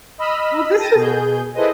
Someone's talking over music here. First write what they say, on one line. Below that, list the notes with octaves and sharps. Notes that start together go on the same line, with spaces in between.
Well, this was
D#5 B5 E6 F6
G5 A5 A#6 D#7
B2 G#4 G6
E4 G#4 A4 B4 C5 D#5